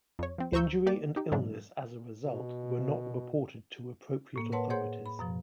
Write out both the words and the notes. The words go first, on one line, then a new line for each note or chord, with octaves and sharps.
Injury and illness as a result were not reported to appropriate authorities.
F2 C#5
F3 C4
D2 C5 A#5 C#6 E6 G6
A#3 G4 D5
D#4 G4
G#2 B2 E3 F#3 A#3 D4
B2
A2 A#3
A#4 B4 C#5 F#5 A5 C6
G#4 C5 C#5 F#5 C6 G6
B5
F#2 B2 F3